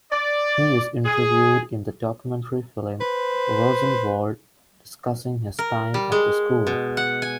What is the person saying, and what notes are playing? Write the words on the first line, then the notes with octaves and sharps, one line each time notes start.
He is interviewed in the documentary film, Rosenwald, discussing his time at the school.
D5
G#4
B4 C5
A#4
G3
G#3
B2
F#5
G#5